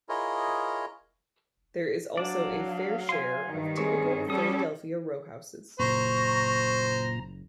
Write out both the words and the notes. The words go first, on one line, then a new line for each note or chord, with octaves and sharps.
There is also a fair share of typical Philadelphia rowhouses.
E4 F4 G#4 A#4 C#5 D#5
F#3 D4 D5 F5
G#5 C6
G2 D#3
C4 G#4 C#5
G3 C#4 A4 D#6
F#1 A#2 C5 A#5 C#6